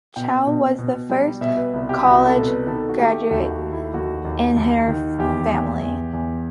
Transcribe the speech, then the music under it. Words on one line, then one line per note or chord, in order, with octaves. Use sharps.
Chow was the first college graduate in her family.
B2 G5
B2
B2
G3
B2 E5
B4
C2
G4
C2 F#4
A4
B2
B4
D#3 A4
F#4
A3 G4
D#2 F#4
F#4
A3
E4
D#2 F#4
D#2
D#2
D#3
E2 G4
E2
E2
E2